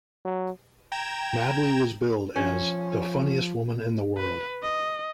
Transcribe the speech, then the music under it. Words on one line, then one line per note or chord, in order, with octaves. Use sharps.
Mabley was billed as "The Funniest Woman in the World".
F#3
G5 A#5 G#6 E7
F3 C#4
B4
D#5